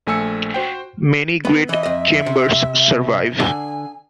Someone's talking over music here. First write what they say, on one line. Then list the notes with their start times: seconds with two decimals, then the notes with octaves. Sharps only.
Many great chambers survive.
0.07 A#1 A3 G#5 E6 C#7
0.54 F#4 C5 G5
1.45 B3
1.69 E3 D#5 E5
1.83 F2 D#5
2.26 C3
3.40 D3 G#5